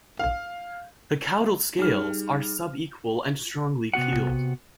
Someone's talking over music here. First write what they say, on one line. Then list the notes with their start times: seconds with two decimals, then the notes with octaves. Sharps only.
The caudal scales are sub-equal and strongly keeled.
0.19 F5
1.79 G3 D#4 G#4 F6
3.94 C3 B3 F#4 F#5